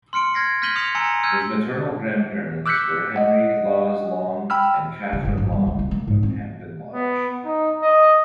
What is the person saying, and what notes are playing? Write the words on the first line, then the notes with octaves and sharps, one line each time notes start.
His maternal grandparents were Henry Lawes Long and Catharine Long of Hampton Lodge.
C6 F6 C#7 D7
F6 G#6 A#6 C7
F6 G6 B6 D#7 F#7 G7
D#6 F6 C#7 F7 F#7
G#5 A#5 E6 C#7
E6 F6 G6 G#6 D#7
D6 E6 F#6 G6 B6 C#7
D#5 F#5
G5 B5 E6 F6
C#3
F#1
G#1
G3
C#2
C2
A#3
G#2
C4
B3
D#4
D#5